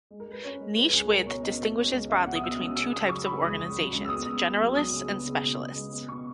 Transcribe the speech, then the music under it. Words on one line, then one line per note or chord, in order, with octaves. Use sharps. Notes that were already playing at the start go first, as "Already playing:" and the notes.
Niche width distinguishes broadly between two types of organizations: generalists and specialists.
G#3
A#4
G#3
B4
C#4 C#5
G#3
G#3 B4
C#2 G#4
G#3 A#4
B2 C#5
C#4 D#5
B2
C#4
C#2
C#4 E5
B2 F#5
D#6
B2 E6
C#4 D#6
C#3 E6
C#3 D#6
F#3 C#6
C#3 B5
C#2 D#6
C#2
F#3
C#2
E6
B3 D#6
C#2
B3
F#3
F#3 D#6
C#3
B3
C#3
B2
B3
G#3
B3
B2 C#6